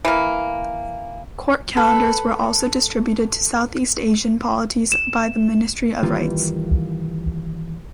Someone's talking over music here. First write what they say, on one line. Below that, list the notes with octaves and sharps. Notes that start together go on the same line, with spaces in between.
Court calendars were also distributed to Southeast Asian polities by the Ministry of Rites.
E3 A#3
A4 B4
E7
D#3 E3 G3 A#3 F4 B4